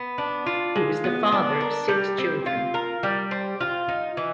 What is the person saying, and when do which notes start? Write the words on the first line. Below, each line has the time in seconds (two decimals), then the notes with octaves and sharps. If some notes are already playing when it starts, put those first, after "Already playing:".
He was the father of six children.
Already playing: B3
0.18 D4
0.46 F4
0.75 G#3
1.04 B3
1.32 D4
1.61 A#4
1.88 G3
2.18 C4
2.46 F4
2.74 A#4
3.03 G3
3.31 C4
3.61 F4
3.88 D#4
4.17 E3